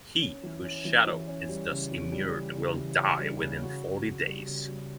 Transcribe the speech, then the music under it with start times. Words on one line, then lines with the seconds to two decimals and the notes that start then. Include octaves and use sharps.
He whose shadow is thus immured will die within forty days.
0.22 C#4
0.43 E3
0.64 C#4
0.85 E3
1.07 E3
1.28 C#4
1.49 G3
1.71 C#3
1.92 E3
2.12 G3
2.34 C#4
2.56 C#3
2.76 E3
2.97 C#4
3.19 G3
3.41 C#3
3.62 F#4
3.82 C#3
4.05 C#3
4.26 G3
4.47 C#3
4.68 G3